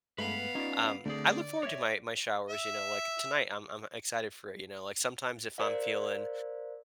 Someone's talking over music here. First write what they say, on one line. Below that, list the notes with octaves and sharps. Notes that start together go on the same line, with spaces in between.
Um, I look forward to my my showers, you know? Like, tonight, I'm I'm excited for it, you know? Like, sometimes if I'm feeling,
G2 G#3 A3 B3 B4 F5
C#4 D#4 F4 D5
D3 A3 C4 G#4 D5
C#5 E5 D6 G#6
E5
A#4 C5 D5 F5